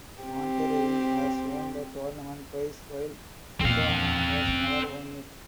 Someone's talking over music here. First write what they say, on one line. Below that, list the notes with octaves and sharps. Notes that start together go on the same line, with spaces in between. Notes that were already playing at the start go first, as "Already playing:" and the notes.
Monterrey has won the tournament twice while Tijuana has never won it.
C4 G4
E2 A#2 C4 F5
C#4